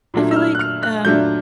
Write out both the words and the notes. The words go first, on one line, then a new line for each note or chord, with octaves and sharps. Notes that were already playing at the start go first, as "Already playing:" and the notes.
I feel like, um,
A#2 F#3 A3 D4
E6
F6
F#6
F6
F#6
A#2 F#3 A3 D4 G6